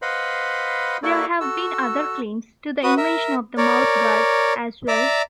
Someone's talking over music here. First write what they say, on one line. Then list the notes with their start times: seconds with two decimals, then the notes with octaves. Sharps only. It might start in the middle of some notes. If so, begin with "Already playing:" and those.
There have been other claims to the invention of the mouthguard as well.
0.02 B4 C5 D#5 F5 F#5 B5
1.03 A#3 E4 F#4 A4 D5
1.40 F#4 A4 E6
2.84 F#4 B4 D#6
2.97 A#4 E5
3.58 A#4 C#5 D5
4.88 D5 E5 A#5 D6